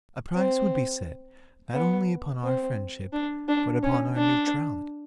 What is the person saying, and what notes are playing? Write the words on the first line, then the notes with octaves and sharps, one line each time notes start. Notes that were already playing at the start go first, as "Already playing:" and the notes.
A price would be set not only upon our friendship, but upon our neutrality.
C4
B3
C4
D4
D4
C#4
D4